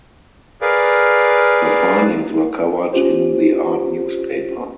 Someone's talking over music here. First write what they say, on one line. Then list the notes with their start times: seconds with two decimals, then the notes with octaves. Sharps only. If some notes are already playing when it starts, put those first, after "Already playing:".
Her findings were covered in The Art Newspaper.
0.61 G#4 A#4 B4 D5 F5
2.93 C#4 F4 G4 C5